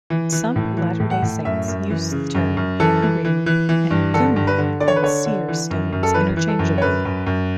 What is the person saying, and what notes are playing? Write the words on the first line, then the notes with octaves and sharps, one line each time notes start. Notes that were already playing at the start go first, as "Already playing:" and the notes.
Some Latter Day Saints use the term Urim and Thummim and seer stones interchangeably.
E3
E3
A2
E3
A2
F#5
A2
F#2 E5
F#2
E3
C#3
F#2
F#2
E3 A4
E3
E3
E3
E3
G2
D3 A4
G2
B4
D3
D3 D5
C#5
B4
D3 C#5
D3
E3
F#2
F#2
A4
E3 B4
E3
A4
F#2
C#5
F#2 B4
F#2
F#2